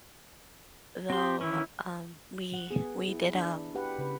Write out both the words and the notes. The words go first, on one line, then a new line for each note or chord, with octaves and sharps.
though, um, we we did, um,
C4 G4 C6
D#3 E3 C#4 E4
F#5
B3 G#4
E4
D4
G4 B4 F#5
C#3 B4